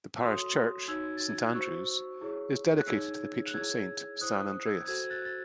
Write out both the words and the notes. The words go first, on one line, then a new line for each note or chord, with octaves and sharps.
The parish church, Saint Andrew's, is dedicated to the patron saint, San Andreas.
E6
F#4 A4 C#5 C6 D#6
D#4 F#4 C#5 E6 G#6
A6
G#6
F#6
F#4 C5 C#6 E6
E4 G#4 C#5
F#6
D#4 G#4 C#5 E6 G#6
F#6
E4 G#4 C#5 E6 G#6
E4 C5 D#6 F#6
E6 G#6
F#4 A4 C5 E6 G#6
F#6 A6
A6